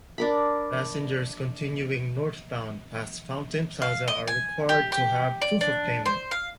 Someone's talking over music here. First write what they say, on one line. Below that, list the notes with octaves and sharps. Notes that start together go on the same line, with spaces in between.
Passengers continuing northbound past Fountain Plaza are required to have proof-of-payment.
D4 A#4 B5
F5
D#5
G#5
G4
G4
D5
D4
C5
F5